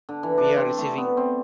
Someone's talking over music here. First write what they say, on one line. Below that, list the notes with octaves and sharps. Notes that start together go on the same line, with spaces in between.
We are receiving.
D3
E3
D4
C4
A3
B3
C4